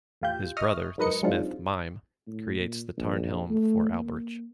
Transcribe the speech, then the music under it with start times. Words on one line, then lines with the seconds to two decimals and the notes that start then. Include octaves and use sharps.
His brother, the smith Mime, creates the Tarnhelm for Alberich.
0.21 E2 A2 F4 G4 G6
0.57 D#5 E5 C#6 D#6 F6
0.98 G#2 F#3 A#4 B4 D#5 C#7
1.23 F#3 G#3 C4 D4 D#4 F4
2.27 A2
2.59 A#2
2.97 A#1
3.50 A3
3.92 A#3